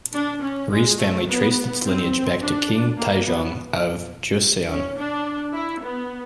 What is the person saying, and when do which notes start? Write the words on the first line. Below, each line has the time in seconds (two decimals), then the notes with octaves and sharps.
Rhee's family traced its lineage back to King Taejong of Joseon.
0.13 D4
0.42 C#4
0.70 G#3
1.00 A3
1.28 B3
1.85 C4
2.41 D4
2.99 A#3
3.27 B3
4.69 C#4
4.98 D4
5.55 E4
5.83 B3